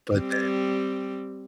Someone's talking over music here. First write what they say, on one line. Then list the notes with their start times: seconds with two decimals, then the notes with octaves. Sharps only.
But then,
0.12 G3 C4